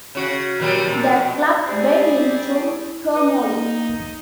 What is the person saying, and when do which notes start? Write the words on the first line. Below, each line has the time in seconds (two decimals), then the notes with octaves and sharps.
The club went into turmoil.
0.15 C#3 F#4
0.60 A#2 F#3 G3
0.85 A#2 D#3 F3
1.16 B2
1.65 G3 C4 G#4 D5
2.61 E4
3.14 D#4 B4
3.48 A#3